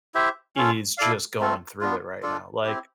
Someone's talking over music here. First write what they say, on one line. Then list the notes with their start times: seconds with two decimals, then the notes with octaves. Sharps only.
is just going through it right now, like
0.14 E4 G4 C5 E5
0.56 C#4 F4 A4
0.98 E4 A4 D5 F5
1.39 A3 C4 F4 A4
1.81 B3 D4 F4
2.22 D4 F4 A4 D5
2.64 C4 E4 G4